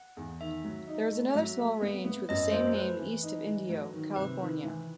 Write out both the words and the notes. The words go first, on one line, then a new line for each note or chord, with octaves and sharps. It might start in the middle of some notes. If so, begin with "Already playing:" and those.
There is another small range with the same name east of Indio, California.
Already playing: F#5
E2
D#3 E5
F#3
D#4
A3
F#3 E5
A3
B3
B3
F#2 D#5
F#3 C5
A3 B4
E3
D#4
E3
F#3
D#3
C3 B4
D#3
E3